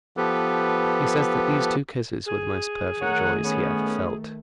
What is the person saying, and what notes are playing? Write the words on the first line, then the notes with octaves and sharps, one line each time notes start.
He says that these two kisses were the most perfect joys he ever felt.
F3 B3 G4 A4 B4
G#4
D#3 A3 A#4 C#5 F#5
B3 C#4